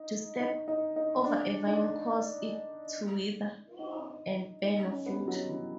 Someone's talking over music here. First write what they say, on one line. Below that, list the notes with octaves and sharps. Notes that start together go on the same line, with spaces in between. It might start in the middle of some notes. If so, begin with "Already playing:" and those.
To step over a vine causes it to wither and bear no fruit.
Already playing: D#4
D#4
D#4
D#4
D4
D#4
D#4
D#4
C#4
B3
G3
F#3
E3